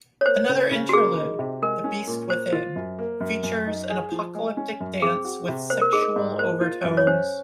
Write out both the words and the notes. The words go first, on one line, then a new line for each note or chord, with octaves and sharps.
Another interlude, "The Beast Within", features an apocalyptic dance with sexual overtones.
C#5
A#3 C5
C#3
C#3
F#4
A#3 G#4
D#4
C3
G#3 A#4
C#4
A#2
A#3 C5
F4
F#2
A#3
F#2
F#2
D#4
G#4
F3
G#3
C#4
F#2
C4 G#4
F#4
C3
A#3 C5
A#4
D#4 G#4
A#4
G#2
A#3 C5
F4
F#2
C#5
C#4 C5